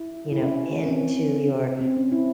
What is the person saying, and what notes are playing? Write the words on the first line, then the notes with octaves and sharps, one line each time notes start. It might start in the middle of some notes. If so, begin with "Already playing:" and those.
you know, into your
Already playing: E4
E4
C#4
C4
C#4
C4
C#4
E4